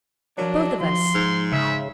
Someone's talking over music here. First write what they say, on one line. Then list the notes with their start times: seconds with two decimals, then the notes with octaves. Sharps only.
'Both of us.
0.38 F3 F#3 D4 A#4 C#5
0.81 F3 C6
1.14 G#2
1.52 C#3 E5